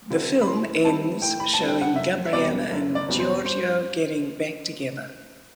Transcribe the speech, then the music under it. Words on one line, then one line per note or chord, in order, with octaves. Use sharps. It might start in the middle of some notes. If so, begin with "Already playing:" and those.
The film ends showing Gabriella and Giorgio getting back together.
D3 F#3 C4 E4
B5
A2 C6
G3 C4 E4 A5
A2 G5
B5
A5
G3 C4 E4
G5
F#5
F#1 E5
E5
E2 B2 G3 C4 D5
F#1
D5
E2 B2 G3 C4
C5
G2 C5